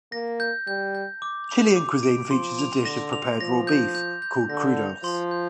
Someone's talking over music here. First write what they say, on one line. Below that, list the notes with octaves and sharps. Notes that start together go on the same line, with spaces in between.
Chilean cuisine features a dish of prepared raw beef called crudos.
A#3 A#6
G6
G3 G6
G6
D6
F7
D6
D7
F3 C6
F7
D3 A#6
F7
F3 A#6
G6
G6
G6
D3 A#6
F7
F3 C6
G6